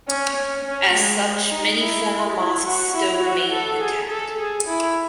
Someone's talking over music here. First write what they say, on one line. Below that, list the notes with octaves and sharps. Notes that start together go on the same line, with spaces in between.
As such many former mosques still remain intact.
C#4
C#4
C#4
G#3
D#4
E4
E4
F#4
E4
F#4
A4
G#4
A4
G#4
E4